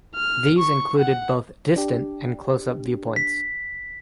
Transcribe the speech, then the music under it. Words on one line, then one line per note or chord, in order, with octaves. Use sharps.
These included both distant and close-up viewpoints.
F6
C#6
F#5
D4 G4
B6